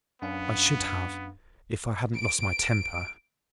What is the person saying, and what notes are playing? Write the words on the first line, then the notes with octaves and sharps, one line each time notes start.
I should have, if I hadn't lost my temper.'
F#2 B3 D4 F5
D7